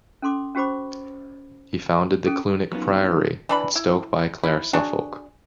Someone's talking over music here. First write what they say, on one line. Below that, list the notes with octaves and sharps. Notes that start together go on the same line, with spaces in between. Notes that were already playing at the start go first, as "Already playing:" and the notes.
He founded the Clunic priory at Stoke-by-Clare, Suffolk.
C#4 A4 C6 D6
C#4 F#4 G4 C5 B5 D6
C#4 G#4 A4
F#3 A#3 B3 C#4 D#4 F4
E3 D4 B5
E4
E4
D4 F#4 G#4